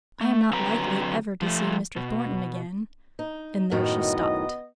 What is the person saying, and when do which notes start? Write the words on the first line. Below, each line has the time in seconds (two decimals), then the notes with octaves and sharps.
'I am not likely ever to see Mr. Thornton again,'--and there she stopped.
0.21 A3
0.53 D3 F#3 C4 B4 G5 A#5
1.42 F3 A3
1.96 B2
3.19 D#4
3.71 F#2 A2 D#3 B3 D#5